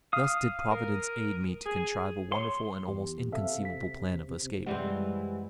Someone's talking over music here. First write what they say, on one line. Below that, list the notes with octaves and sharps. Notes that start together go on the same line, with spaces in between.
Thus did Providence aid me to contrive a wonderful and almost inconceivable plan of escape.
F5 D#6
A#4
G#4
C#5 C6
E2 G4
C3 A4 E5 F5
B6
F#2 E3 G3 G#3 C4 F#5